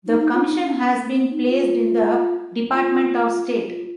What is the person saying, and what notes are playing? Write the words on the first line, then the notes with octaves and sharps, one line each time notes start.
The Commission has been placed in the Department of State.
D#4
D#4
F4
D#4
C#4
B3
D#4
F4
F4